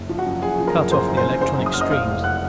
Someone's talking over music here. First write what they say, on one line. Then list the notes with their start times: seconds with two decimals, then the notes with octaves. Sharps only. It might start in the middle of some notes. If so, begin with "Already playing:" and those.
I cut off the electronic streams.
Already playing: F#1
0.09 F3
0.18 F#4 F#5
0.26 F#2
0.42 F#1 G#4 G#5
0.60 F3
0.67 A#4 A#5
0.75 F#2
0.91 F#1 C5 C6
1.08 F#1
1.17 C5 C6
1.25 F#2
1.41 F#2 C5 C6
1.58 F#2
1.66 D#6
1.73 F#1 F6
1.81 D#5 D#6
1.91 F1 F5 F6
2.07 F1
2.24 F#5 F#6